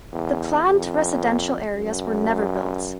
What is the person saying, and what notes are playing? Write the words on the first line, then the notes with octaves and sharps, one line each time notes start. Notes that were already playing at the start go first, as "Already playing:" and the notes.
The planned residential areas were never built.
E2
F2
F#2